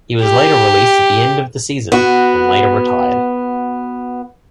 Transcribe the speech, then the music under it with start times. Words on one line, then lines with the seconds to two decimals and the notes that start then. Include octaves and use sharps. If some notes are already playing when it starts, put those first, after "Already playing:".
He was later released at the end of the season and later retired.
0.22 G4
1.92 B3 F#4